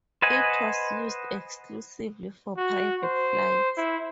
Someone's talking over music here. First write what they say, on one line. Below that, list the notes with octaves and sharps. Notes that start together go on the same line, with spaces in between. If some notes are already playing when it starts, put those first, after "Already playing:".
It was used exclusively for private flights.
B4 C5 D#5 F#5 G#5
F#4
C5
E4